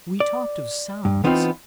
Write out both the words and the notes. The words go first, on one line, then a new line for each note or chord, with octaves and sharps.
We talked of sounds.
D5
G2
E3 B3 C4 D#4 F4